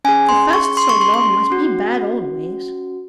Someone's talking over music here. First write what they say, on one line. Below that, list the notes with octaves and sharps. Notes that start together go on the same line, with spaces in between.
"To fast so long must be bad always."
C#4 G#4 G#5
C6
C#6
C6
C#6
C6
C6
C#4 F#4